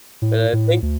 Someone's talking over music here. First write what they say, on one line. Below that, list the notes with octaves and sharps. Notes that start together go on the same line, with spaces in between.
But I think
A2
A2
D2